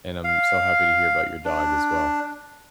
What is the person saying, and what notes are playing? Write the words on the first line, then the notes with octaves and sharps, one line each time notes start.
And I'm so happy to hear about your dog as well.
F5
D4